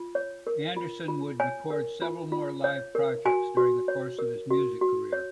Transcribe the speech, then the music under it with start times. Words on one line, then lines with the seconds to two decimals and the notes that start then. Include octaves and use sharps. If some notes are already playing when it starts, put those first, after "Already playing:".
Anderson would record several more live projects during the course of his music career.
Already playing: F4
0.15 C#5
0.47 A#4
0.77 F4
1.08 F4
1.40 C#5 G#5
1.70 A#4
2.02 F4
2.32 F4
2.64 C#5
2.95 A#4
3.25 F#4 G#5
3.57 F#4
3.88 C#5
4.19 A#4
4.50 F#4
4.81 F#4
5.13 C#5